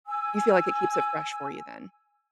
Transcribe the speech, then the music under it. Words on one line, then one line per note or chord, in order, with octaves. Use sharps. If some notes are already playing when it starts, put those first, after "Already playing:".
You feel like it keeps it fresh for you, then?
G#5 E6